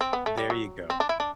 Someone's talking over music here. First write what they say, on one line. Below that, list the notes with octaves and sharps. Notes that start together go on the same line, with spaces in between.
There you go.
C4
B3
A3
G3
F#3
C4
D4
E4
D4